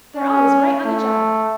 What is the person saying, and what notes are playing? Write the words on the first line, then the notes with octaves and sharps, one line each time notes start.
They're always right on the job.
C#4
A3